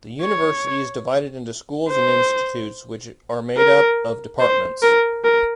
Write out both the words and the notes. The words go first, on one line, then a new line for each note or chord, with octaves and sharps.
The university is divided into schools and institutes, which are made up of departments.
C#5
C5
A#4
C5
A#4
A#4